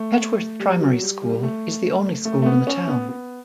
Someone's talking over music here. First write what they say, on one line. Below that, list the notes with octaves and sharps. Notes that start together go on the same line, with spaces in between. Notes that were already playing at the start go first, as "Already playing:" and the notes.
Petworth Primary School is the only school in the town.
Already playing: A3
G3
F#3
G3
G3
A3
A3
A3
B3
C#4
B3
B3